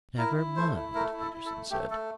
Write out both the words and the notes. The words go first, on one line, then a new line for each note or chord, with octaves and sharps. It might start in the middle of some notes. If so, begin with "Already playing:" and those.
"Never mind," Peterson said.
E4 A#4
E4
A3 C5
E4
A3 A#4
E4
A4
E4
A4
A3
A3 G4
A3 A4